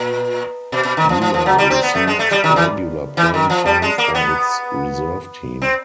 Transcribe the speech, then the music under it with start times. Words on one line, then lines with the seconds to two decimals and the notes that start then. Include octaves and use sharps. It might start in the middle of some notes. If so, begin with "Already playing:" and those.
Vila received regular playing time for its reserve team.
Already playing: A#2
0.72 B2
0.85 B2
0.97 D#3
1.09 F3
1.22 F3
1.34 F3
1.46 F#3
1.58 G3
1.70 C4
1.83 B3
1.95 A3
2.07 G#3
2.19 A3
2.31 G3
2.44 D#3
2.56 E3
3.17 E3
3.34 D#3
3.50 F3
3.66 G3
3.82 G#3
3.98 A#3
4.15 B3
5.62 C4